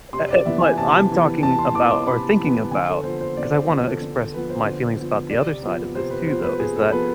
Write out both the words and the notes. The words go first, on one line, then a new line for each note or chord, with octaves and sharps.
Eh eh, but I'm talking about or thinking about- 'cause I wanna express my feelings about the other side of this too, though- is that
C3 C6
D5
E3 B3 E5
G#5
C3 A5
E3 B3
C3 A5
C6
E3 B3 D6
D6
C3 B5
E3 B3
D3 G#5
A4
F3 B3 C5
C5
D3 D5
C5
F3 B3 C5
A4
D3
A4
F3 B3 B4
C5
D3
F3 B3
C3 D5
F3 B3
C3 C5
B4
F3 B3 C5
B4
C3 G#4
A4
F3 B3 B4